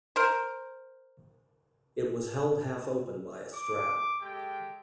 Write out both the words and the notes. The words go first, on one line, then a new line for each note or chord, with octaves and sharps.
It was held half open by a strap.
A#4 C5
D6
G#3 G4 A4 G5